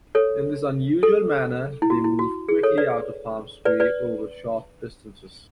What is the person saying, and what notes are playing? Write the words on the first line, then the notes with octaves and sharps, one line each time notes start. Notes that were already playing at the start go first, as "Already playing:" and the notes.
In this unusual manner, they move quickly out of harm's way over short distances.
A4 C#5
A4
E4
F#4
E4
F#4
G#4
A4 C#5
B4 D5
B4 D5
B4 D5